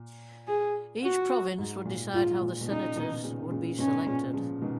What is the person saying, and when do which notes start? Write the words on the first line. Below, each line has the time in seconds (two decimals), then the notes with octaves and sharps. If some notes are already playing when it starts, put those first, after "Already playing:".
Each province would decide how the senators would be selected.
Already playing: A#2
0.47 G#4
1.03 F#4
1.58 G#2
1.85 A#2
2.13 G#2 F4
2.41 A#2
2.61 B2
2.69 A#2 C#3 D#4
2.96 B2 D#3
3.24 A#2 C#3
3.51 A#2 C#3
3.79 G#2 B2 C#4
4.06 A#2 C#3
4.34 C#3 F3
4.62 B2 D#3